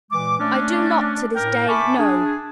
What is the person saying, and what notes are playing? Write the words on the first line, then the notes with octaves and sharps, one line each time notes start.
I do not to this day know.
A#2 E3 G#3 D6
A3 C#4 D4
A2 A#4 G5
E5 G#5 A5 B5 C#6 D6
D4 G#4